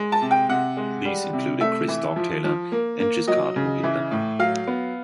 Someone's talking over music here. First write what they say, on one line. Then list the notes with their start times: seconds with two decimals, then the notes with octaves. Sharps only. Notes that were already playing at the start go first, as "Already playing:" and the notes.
These included Chris Dogtailer and Giscard O'Hitler.
Already playing: G#3
0.12 A5
0.22 C3
0.31 G5
0.49 C3 F#5
0.77 G#3
1.05 G3
1.33 C3
1.61 A3 E5
1.88 E3
2.16 F3
2.44 F3
2.72 A#3
3.00 A#3
3.27 F#3 D#5
3.56 C#3
3.83 E3
4.11 A2
4.39 F#3 F5
4.67 B3